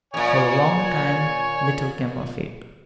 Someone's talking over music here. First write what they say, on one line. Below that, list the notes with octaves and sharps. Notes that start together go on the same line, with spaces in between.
For a long time little came of it.
E2 A#2 C#5 G#5